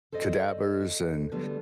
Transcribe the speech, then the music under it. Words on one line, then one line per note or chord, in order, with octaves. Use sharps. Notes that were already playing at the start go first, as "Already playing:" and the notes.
cadavers and
A4 C5 D5 D#5
D3 F#3 G3 A3 B3 D4